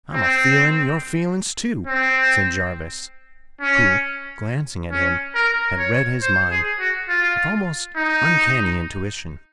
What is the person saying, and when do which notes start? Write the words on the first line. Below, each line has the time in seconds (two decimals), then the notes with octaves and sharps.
"I'm feelin' your feelin's too," said Jarvis, who, glancing at him, had read his mind with almost uncanny intuition.
0.13 C4
1.87 C4
3.61 C#4
4.92 C#4
5.35 A#4
5.79 C#5
6.22 C5
6.51 G#4
6.80 F#4
7.09 F4
7.96 D#4